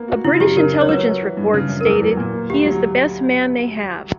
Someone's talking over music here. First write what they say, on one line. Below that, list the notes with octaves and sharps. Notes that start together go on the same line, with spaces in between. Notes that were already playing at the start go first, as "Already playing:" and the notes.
A British intelligence report stated, "He is the best man they have".
Already playing: A#3 B3
F#4
C#3 E4
F#4
F#2 G4
C#3 A#4
D2
C#5
F#3 B4
F#4
E3
G2
C#3
F#2
A#4
E2 B4
F#3
A#2
A#3
D2 G4
F#3